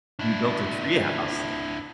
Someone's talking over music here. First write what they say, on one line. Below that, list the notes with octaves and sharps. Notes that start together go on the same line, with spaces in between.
We built a tree house.
D4 E4